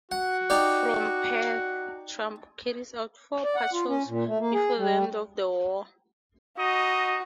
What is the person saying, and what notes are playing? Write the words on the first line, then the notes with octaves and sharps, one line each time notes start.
From Perth, "Trump" carried out four patrols before the end of the war.
F#4 F#5
D#4 G4 D5
D5
F#5
F4
C#4
A#2
A3
A#3
G#4
G3
D#4 F#4 D#5